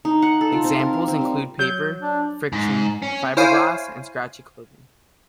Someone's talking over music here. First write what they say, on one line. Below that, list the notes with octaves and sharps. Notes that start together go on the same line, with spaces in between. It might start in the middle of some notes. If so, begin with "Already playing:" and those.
Examples include paper friction, fiberglass, and scratchy clothing.
D#4
F#5
A4
F4
C4
A#4
A#4
C4
G3
F#3 G6
D4
G#2
C#4
E4 C5 C#5 F5 G#5